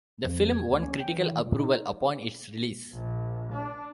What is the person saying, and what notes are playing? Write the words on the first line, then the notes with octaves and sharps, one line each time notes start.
The film won critical approval upon its release.
F2
G#6
D2
C#4
G5
E3
D#3
A#2
D#4
A#1
D4